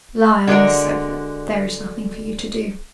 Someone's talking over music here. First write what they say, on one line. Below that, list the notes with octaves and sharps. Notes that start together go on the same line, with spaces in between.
Lie on this sofa--there is nothing for you to do.'
D3 G#3 F#4 A#4